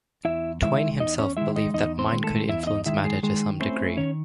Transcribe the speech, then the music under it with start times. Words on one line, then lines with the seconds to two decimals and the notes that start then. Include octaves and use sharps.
Twain himself believed that mind could influence matter to some degree.
0.25 E2 E4 E5
0.62 D#3 G#3 E4 E5
1.00 E2 D#4 D#5
1.19 C#4 C#5
1.37 D#3 G#3 E4 E5
1.56 D#4 D#5
1.74 E2 D#4 D#5
1.99 C4 C5
2.12 D#3 G#3
2.24 A3 A4
2.49 E2 E4 E5
2.63 E5
2.67 D#4 D#5
2.86 D#3 G#3 E4 E5
3.05 G#3 G#4
3.23 D#3 G#3 G#4
3.60 A3 C4 C#4 E4 C5
3.97 D#3 C#4 C#5